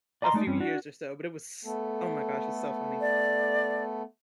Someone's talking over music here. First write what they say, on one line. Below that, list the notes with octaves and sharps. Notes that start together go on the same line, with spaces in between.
a few years or so, but it was s oh my gosh. It's so funny.
D5 D#5 A#5 C6
G#3 A3 D#4 D5
G2 G3 C4 C#4
D4 F#4
A3 B3 A4
D5